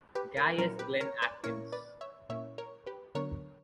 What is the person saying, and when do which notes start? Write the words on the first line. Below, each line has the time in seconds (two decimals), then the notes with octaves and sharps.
Gaius Glenn Atkins.
0.15 G4 B4
0.37 A#4
0.58 A#2 F#3 C#4 E4 A#4
0.79 G4 B4
1.01 A#4 C#5
1.22 B4 D5
1.43 A#2 A#3 C#4 E4 A#4 C#5
1.72 B4 D5
2.01 C#5 E5
2.29 A#2 A#3 C#4 E4 C#5 E5
2.58 A#4 C#5
2.86 G4 B4
3.15 D3 F#3 B3 D4 A#4 C#5